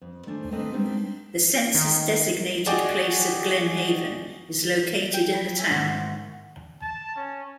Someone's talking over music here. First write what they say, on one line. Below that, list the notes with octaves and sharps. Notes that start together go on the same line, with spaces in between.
The census-designated place of Glen Haven is located in the town.
F2
D#3 A3 D4 C5 G#5
D#3 A3 A#3 C4 B4 D#5
G3 G#3 B3 C4 D4 D#4
D#3
F#4 G#4 D5 D#5 G5 G#5
G5
B5
A3 G#4 C#5
G#2 D#3 E5 F#5 C6 C#6
A5
C#4